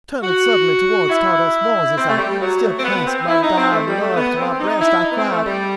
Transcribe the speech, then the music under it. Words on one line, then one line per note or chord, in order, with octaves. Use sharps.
Turning suddenly toward Tardos Mors as I still clasped my dying love to my breast I cried.
F#4
E4
C4
A3
G3
G3
F#3
A3
C4
B3
C4
E4
D#4
C4
A3
G3
A3
B3
C4
D#4
E4
D#4
B3
C4
A3
G3